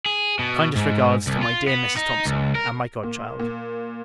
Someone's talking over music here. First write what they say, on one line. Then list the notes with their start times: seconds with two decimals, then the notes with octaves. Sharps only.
Kindest regards to my dear Mrs. Thomson, and my God Child.
0.06 G#4
0.39 B2
0.76 G#2
1.27 C2
1.42 F4
1.67 B3
1.97 D#4
2.25 C#2
2.55 A#4
3.03 A#2
3.40 A#2